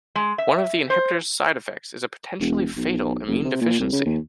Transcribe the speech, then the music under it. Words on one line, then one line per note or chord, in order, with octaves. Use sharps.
One of the inhibitor's side effects is a potentially fatal immune deficiency.
G#3
E5
C5
E1
B1
F#1
C3
A#2
C2
C#3
D#2